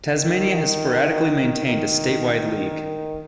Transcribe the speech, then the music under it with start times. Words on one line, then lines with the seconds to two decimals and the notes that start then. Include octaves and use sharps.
Tasmania has sporadically maintained a statewide league.
0.14 D#3
1.66 D#3